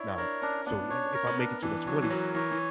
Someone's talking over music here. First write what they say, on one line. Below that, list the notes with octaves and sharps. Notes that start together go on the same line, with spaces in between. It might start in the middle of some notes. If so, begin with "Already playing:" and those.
now, so you I I if I'm making too much money,
Already playing: D4 E4 C#5
D4 A#4
C#4 D4
B3 D4
C#4 C#5
A#4
B3
D4
E3 D4
F#3 C#5
E3
F#3 A#4
E3 C#5
E3